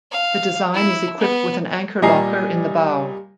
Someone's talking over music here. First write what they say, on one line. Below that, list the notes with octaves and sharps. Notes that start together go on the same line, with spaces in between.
The design is equipped with an anchor locker in the bow.
F5
E4
B3
A#2 G3 D#5 G#5 A#5 C7